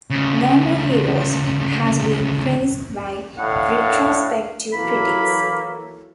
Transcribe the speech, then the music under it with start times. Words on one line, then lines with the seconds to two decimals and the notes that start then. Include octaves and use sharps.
"No More Heroes" has been praised by retrospective critics.
0.10 D2 C#3
3.38 A2 D3 D4 F5 F#5
4.73 E3 F#3 A#3 A4 B5